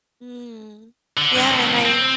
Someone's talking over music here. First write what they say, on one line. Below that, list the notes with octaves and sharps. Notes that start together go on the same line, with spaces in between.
Mm. Yeah, and I
D3
G2
C2 A2
C4